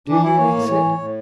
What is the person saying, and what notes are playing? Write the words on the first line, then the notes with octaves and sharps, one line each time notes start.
"Do you?" he said.
E3 D4
E3 E4
A#3 C#5
A2
E3
A2
A2